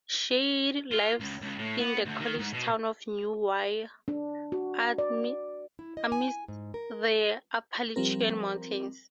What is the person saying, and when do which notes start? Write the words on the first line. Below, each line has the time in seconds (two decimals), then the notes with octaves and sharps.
Shade lives in the college town of New Wye, amidst the Appalachian Mountains.
0.91 F4
1.20 C#2
1.41 C#2
1.58 A2
1.78 B3
2.05 D2
2.20 D#3
2.39 G#2
2.53 B2
4.08 D4
4.52 F#4
4.98 D5
5.79 E4
5.97 D#5
6.12 G#5
6.48 G#2
6.74 A#4
7.96 F3 G3 C4 A#4